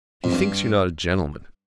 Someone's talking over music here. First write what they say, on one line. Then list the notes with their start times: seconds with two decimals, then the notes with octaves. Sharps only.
He thinks you're not a gentleman.
0.24 F2
0.33 G2